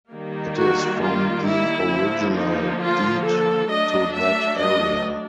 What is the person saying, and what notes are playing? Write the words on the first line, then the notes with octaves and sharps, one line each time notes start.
It is from the original deed to that area.
D#3 G3 A#3
F#4
F4
E4
D3 F3 A#3
D#4
F4
A4
F#3 A3 D4 D#5
E5
D#5